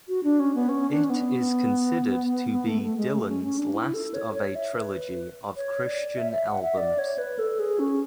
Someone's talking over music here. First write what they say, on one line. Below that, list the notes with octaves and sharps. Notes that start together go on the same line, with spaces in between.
It is considered to be Dylan's last of a trilogy of Christian albums.
F#4
D4
C#4
B3
C#4
D4
C#4
B3
B3
A3
A3
G#3
A3
C#4
C#4
D4
E4
A4
C#5
C#5
E5
B4
C#5
D5
E5
E5
F#5
E5
D5
C#5
B4
A4
G#4
C#4